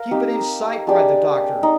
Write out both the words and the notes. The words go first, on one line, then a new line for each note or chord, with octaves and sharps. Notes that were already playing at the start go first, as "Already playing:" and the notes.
"Keep it in sight!" cried the doctor.
Already playing: A#4 F5
C4 D#4 G4
G#3 D4 G4 D5
D#4